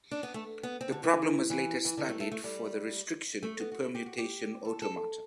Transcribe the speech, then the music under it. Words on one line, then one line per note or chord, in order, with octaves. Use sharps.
The problem was later studied for the restriction to permutation automata.
D4
B3
A3
B3
C4
D3
E3
E3
E3
D3
A3
A3
A3
G3
A3
B3
F#4
E4
G4
F#4
G4
A4
A4